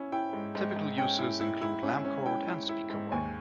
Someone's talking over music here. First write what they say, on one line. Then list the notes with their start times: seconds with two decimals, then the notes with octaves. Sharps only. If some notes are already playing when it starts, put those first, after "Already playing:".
Typical uses include lamp cord and speaker wire.
Already playing: C#4 E4
0.12 E4 G5
0.33 G#2
0.55 G#2
0.76 G#2
0.98 C#4 G5
1.19 E4
1.41 E4
1.61 E4
1.83 C#4
2.05 C#4
2.26 E4 G5
2.48 E4
2.69 E4
2.90 G#2
3.12 D#2 G#5